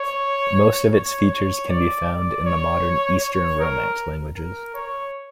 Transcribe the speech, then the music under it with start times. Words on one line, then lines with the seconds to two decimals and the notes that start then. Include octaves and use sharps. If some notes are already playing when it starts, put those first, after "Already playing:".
Most of its features can be found in the modern Eastern Romance languages.
Already playing: C#5
0.93 C#5
1.31 C#5
1.69 D5
2.07 D5
2.45 C#5
3.21 C#5
3.60 A#4
4.37 A#4
4.74 C#5